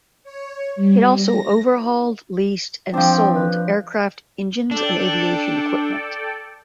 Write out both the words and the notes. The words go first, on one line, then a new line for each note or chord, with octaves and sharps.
It also overhauled, leased and sold aircraft, engines and aviation equipment.
C#5
G3
A#6
F3 C4 D4 G5
B4
D4 A4 D5 G5